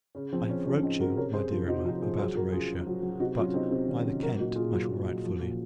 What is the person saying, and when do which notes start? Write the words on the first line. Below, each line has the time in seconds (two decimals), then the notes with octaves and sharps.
I have wrote you, my dear Emma, about Horatia; but, by the Kent, I shall write fully.
0.15 C#3 C#4
0.33 F3 C4
0.49 C#3 C#4
0.66 F3 C#4
0.83 C#3 C4 D#4
0.99 C#3 F#4 A#4
1.17 C3 A#4 C#5
1.34 C3 G#4 C5
1.50 F3 F4 G#4
1.68 C3 D#4 F#4
1.85 F3 D#4 F#4
2.01 F3 F4 G#4
2.18 F#3 G#4 C5
2.35 F#3 F#4 A#4
2.52 C#3 F4 G#4
2.70 C#3
2.87 F#3
3.03 F#3
3.20 C3 D#4 F#4
3.37 F#3 C#4 F4
3.54 C3 C4 D#4
3.71 C3
3.88 D#3 C#4
4.05 C3 C#4
4.22 F#3 F#4 A#4
4.39 A#2 D#4 F#4
4.56 A#2 F4 G#4
4.73 F#3
4.90 A#2
5.07 F#3
5.24 F3
5.41 A#2